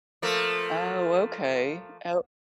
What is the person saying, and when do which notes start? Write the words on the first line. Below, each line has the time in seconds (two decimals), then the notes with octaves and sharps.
Oh, okay. Oh,
0.22 F3 A3 A#3